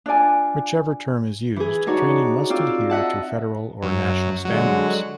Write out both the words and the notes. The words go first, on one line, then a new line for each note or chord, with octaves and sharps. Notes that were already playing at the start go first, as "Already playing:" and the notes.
Whichever term is used, training must adhere to federal or national standards.
D4 F4 D5 G#5
E3 G#4
D4 D#4 F#4 C#5 C#6
C4 F4 D5 E6
D#5 E5 F#5 A5
F#2
D3 F#3 G#3